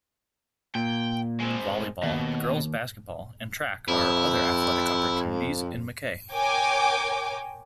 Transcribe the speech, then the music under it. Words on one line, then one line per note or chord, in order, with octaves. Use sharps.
Volleyball, girls' basketball and track are other athletic opportunities in Mackay.
A#2 G5
G#3 C4
D#2 B2
F2 E4
A#4 C#5 G5 G#5 D6